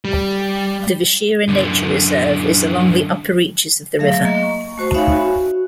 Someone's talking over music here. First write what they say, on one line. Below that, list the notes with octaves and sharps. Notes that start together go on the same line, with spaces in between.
The Vishera Nature Reserve is along the upper reaches of the river.
G3
F#2 D3
F#3 A3 G#4 E5 F5
A#3 D#5
C#6
A3 F#4 C5 C#6
D#4 C#5 E5 F5 G#5 B5
F#4